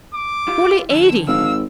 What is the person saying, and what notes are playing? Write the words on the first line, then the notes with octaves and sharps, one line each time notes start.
"Fully eighty."
D6
E4 F4 G4
F2 D3 E6
G#1 F5 E6